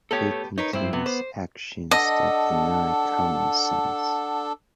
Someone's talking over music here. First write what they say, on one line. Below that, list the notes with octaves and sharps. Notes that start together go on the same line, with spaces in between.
It contains actions that deny common sense.
A3 B3 G4 A4 C#5
D#4 A#4 B4 C#5
G2 C4 E4 C5
C3 B3 B4
C5
D4 A4 D#5 F#5